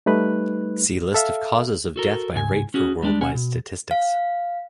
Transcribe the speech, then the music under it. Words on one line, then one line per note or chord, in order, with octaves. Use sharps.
See list of causes of death by rate for worldwide statistics.
G3 A3 D#4 B4 F#6
A4 E5 F5
F#4 A4 A#4
C#2 G#2 F#4 G#5
C#4 F#4 G#4
G3 G#3 D4
B1 C#4 F#5 G#5
B2
F5